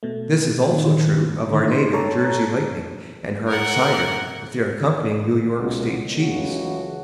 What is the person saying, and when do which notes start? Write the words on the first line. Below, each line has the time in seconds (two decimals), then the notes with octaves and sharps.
This is also true of our native Jersey Lightning and hard cider with their accompanying New York State cheese.
0.03 B2 A3
0.69 A#2 D#3
1.49 D3 D#3 A3
1.68 D#4 C5 C6
1.93 G4 A4 C#5 A5 A#5
3.47 A#4 F#5
5.58 C#2 B2
6.17 C#2 C#3 E3 F#3 A3 F#4